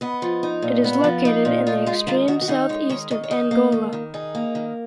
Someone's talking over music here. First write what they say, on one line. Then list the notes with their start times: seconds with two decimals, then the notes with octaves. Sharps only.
It is located in the extreme south-east of Angola.
0.01 B3 D#5
0.22 F3
0.43 D#4
0.62 A#2
0.84 B3
1.04 F3
1.25 D#4
1.45 A#2
1.66 D#4 F4
1.86 G#3 F4
2.07 D#3 F4
2.28 D#3 F#4
2.41 F#4
2.48 D#4 G#4
2.69 G#3 C#5
2.89 D#3 C#5
3.11 D#3 D#5
3.24 C#5
3.31 D#4 D#5
3.51 A#3
3.72 D#3
3.93 D#3
4.14 D#4 G#4
4.35 A#3
4.55 D#3